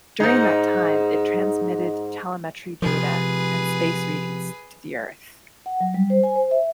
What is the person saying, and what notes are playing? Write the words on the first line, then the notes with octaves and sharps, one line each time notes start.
During that time, it transmitted telemetry data and space readings to the Earth.
G#2 D#4
C3 F3 G#4 B4
F#5
F#3
G3
C5
G#5
C5
E5